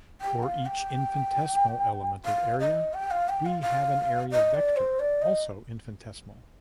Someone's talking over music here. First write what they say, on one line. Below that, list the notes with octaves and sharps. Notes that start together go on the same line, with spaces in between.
For each infinitesimal element of area, we have an area vector, also infinitesimal.
G5
F5
G5
F5
D#5
G5
F5
G5
F5
F5
D#5
D5
C5
D5
D#5